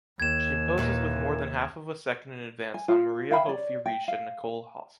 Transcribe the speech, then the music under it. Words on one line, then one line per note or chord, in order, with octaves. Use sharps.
She imposes with more than half of a second in advance on Maria Hofi-Riesch and Nicole Hosp.
D#2 G#6 E7
A#2 D#3 E3
G#5
F4
E5 F5 G5 B5
C#5 D5
G5
F5